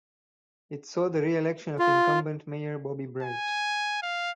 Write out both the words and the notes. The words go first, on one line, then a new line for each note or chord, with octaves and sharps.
It saw the reelection of incumbent mayor Bobby Bright.
F4
G#5
F5